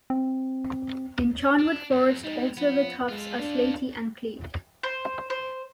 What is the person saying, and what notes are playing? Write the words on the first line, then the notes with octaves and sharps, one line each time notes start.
In Charnwood Forest also the tuffs are slaty and cleaved.
C4
D4
F2
G3 G#3 D#4
F3 B3
G#3 F4 A4
D4
C5
C5